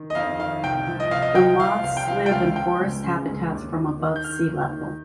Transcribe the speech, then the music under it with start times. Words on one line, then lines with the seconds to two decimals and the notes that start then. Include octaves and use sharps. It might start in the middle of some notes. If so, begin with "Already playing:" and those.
The moths live in forest habitats from above sea level.
Already playing: D#3
0.10 D#5
0.15 F2 F5
0.39 D#3 F5
0.63 C2 G5
0.87 F3
1.00 D#5
1.11 C2 F5
1.22 D#5
1.35 F3 G5
1.59 F3 F5
1.83 C2 F5
1.97 G5
2.07 F3 F5
2.26 G5
2.32 C#2 F5
2.56 F3 G5
2.80 C#2
3.04 C#3
3.28 C#2
3.52 D#2
3.76 D#2
4.00 D#3
4.16 G6
4.24 D#3 F6
4.49 D#2
4.72 D#3